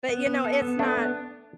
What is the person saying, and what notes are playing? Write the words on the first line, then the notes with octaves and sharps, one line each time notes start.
but, you know, it's not
B3
B3
A4
B3
A3 D4
B3